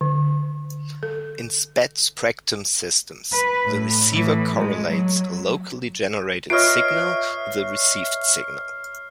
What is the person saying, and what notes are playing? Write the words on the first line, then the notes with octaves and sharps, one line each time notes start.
In spread-spectrum systems, the receiver correlates a locally generated signal with the received signal.
D3
A4
B4
A2
A2 E3
G#3
F#3
F4 B4 C#5 D#5 E5 F6 C7